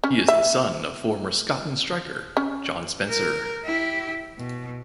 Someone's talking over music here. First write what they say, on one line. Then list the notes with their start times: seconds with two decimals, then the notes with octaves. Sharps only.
He is the son of former Scotland striker John Spencer.
0.04 C#4
0.28 E5
2.37 C#4
3.08 A#4
3.65 E4 G4
4.38 B2